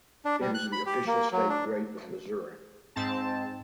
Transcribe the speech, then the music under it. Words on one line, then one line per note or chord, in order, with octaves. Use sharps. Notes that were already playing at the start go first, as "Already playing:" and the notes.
It is the official state grape of Missouri.
D4
G3
F#6
B5
G4
A#3
F#3
D4
G#2 C4 A5